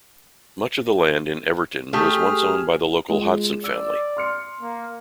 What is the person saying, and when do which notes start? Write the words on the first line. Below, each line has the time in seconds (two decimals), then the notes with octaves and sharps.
Much of the land in Everton was once owned by the local Hodson family.
1.93 A3 G4 G#4 F6
3.09 G#3 F4 G#4
3.64 D5 E6
4.17 C6 F6 C#7
4.61 A#3